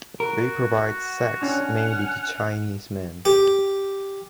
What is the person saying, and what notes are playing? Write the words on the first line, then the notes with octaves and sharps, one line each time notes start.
They provide sex mainly to Chinese men.
F#4 A#4
C#4 D4 F#5 G#5 C#6 F6
G4